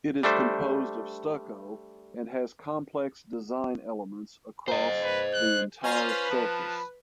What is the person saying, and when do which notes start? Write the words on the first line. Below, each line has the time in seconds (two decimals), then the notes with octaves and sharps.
It is composed of stucco and has complex design elements across the entire surface.
0.23 G3 A3 D4 C5
4.68 C5 D#5
5.03 B4
5.33 F#6
5.83 C#4 F4 C5 G#5 A#5 C6
6.08 B4
6.30 F3 A5